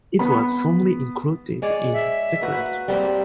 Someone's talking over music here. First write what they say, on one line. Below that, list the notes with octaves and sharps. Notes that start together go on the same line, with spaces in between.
It was formerly included in "Scelotes".
B3 B5
G#3 C#5 D5
E5
A#3 F#4 B4
G3 A#3 C4